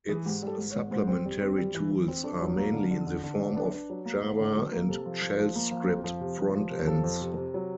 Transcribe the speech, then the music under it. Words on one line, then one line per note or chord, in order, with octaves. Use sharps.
Its supplementary tools are mainly in the form of Java and shell script front-ends.
E3 G#4
G#2 G4
G3 A4
G#2
C#5
G#2
G#2 C5
C4
G3
C4
G3
E3
E3
C4
D4
F#3
A#3
D3
D3
D3
D3
D3
D4 B4
D4
F#3
A#3
A#3
D3
F#3
A#3
C3 A4
F3
F3
F3
A#3
F3
F2
F3
C3
F3
F3
C3
F3 A4
F2
C3
C3
F#3